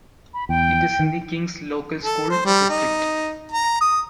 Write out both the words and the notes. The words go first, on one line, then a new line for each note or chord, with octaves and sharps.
It is in the Kings Local School District.
B5
E2 G5
D#3
A4
C5
G3
D#4
A#5
D#6